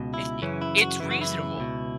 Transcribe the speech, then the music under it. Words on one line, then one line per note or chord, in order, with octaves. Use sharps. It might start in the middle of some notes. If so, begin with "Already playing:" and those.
It's i it's reasonable,
Already playing: C#2 B2
E4
F#2 C#3 E3 C#4
E4
F#4
F#2 C#3 E3 E4
F#4
E4
C#2 B2